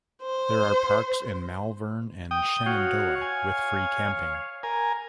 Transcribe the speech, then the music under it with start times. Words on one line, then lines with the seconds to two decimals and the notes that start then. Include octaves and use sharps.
There are parks in Malvern and Shenandoah with free camping.
0.22 C5
2.31 G5 D#6
2.66 F#4 C#5 F5
3.21 G#5
4.63 A#4 G#5